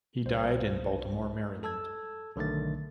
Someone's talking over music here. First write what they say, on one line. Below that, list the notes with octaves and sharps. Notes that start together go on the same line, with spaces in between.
He died in Baltimore, Maryland.
C2 C5
A4 A5 E6 G#6
B1 D3 D#3 A3 A6